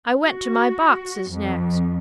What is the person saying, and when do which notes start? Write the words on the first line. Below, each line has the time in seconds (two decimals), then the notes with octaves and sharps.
I went to my boxes next.
0.23 F#4
1.29 F2